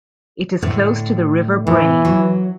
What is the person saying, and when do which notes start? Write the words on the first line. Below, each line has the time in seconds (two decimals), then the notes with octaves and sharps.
It is close to the River Brain.
0.62 A2 D3
1.67 A2 E3
2.05 F#3